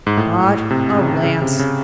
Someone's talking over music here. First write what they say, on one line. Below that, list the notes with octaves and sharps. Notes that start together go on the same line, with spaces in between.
But alas!
G#2
A2
C3
C#3
C#3
C3
C#3